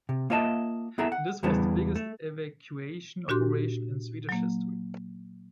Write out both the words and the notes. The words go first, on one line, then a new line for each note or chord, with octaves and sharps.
This was the biggest evacuation operation in Swedish history.
C3
A#3 F4 C#5 D#5 E5 A5
B3 E4 G#4 A4 E5 A#5
F#5
E2 C#3 E3 G3 B3 D4
A3
A#2 D4 F#4 G4 C6
F#3 A#3